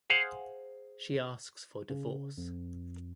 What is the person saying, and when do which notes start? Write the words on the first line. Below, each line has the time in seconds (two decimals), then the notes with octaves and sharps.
She asks for divorce.
0.10 G#4 C5 F5 F#5
1.90 C#3
2.38 F2